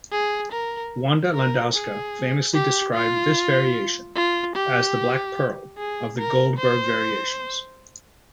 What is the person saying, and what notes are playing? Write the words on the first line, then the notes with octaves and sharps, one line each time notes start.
Wanda Landowska famously described this variation as "the black pearl" of the "Goldberg Variations".
G#4
A#4
A#4
G#4
G4
F4
F4
G4
G#4
A#4
C5